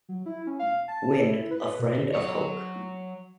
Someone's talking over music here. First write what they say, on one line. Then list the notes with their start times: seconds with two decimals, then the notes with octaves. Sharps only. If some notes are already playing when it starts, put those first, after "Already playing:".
Wynne, a friend of Hoke.
0.09 F#3
0.26 E4
0.47 C#4
0.59 F5
0.88 A5
1.21 E4
1.51 B4
1.79 B2
2.14 F#3 C#5